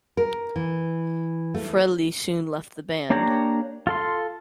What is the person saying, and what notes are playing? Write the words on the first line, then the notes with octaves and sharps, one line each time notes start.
Frehley soon left the band.
A#4
E3
A3
A#3 D4 G4 C#5 A#5
F4 A4 C6